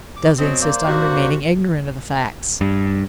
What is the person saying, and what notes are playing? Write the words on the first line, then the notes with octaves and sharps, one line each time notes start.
Does he insist on remaining ignorant of the facts?
D6
B2 F#3 C4 D#5
A#3 C5 D5
G2 C3 F#4
G2